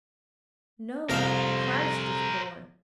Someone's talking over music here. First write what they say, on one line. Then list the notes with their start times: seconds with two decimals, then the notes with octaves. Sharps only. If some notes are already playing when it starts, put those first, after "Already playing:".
"No, the Christ is born."
1.10 C2 F2 A#4 C5 F5